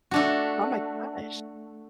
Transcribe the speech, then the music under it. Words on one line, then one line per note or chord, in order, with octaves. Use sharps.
Oh my gosh.
A3 D4 F#4